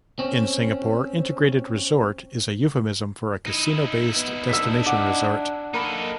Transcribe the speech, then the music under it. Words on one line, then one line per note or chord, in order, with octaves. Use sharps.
In Singapore, "integrated resort" is a euphemism for a casino-based destination resort.
C4 C#4
D#4 E4
B3
D4 E6 B6
F#5 D6
A#3 D#4 A4 A#4 B5